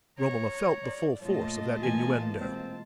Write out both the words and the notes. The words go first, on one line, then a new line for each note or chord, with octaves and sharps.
Romola felt the full force of that innuendo.
C#5 A#5
D5
A#2 A3 F4 C#5 D#5 A5
B2 E3 A#3 G#5
G#3 C4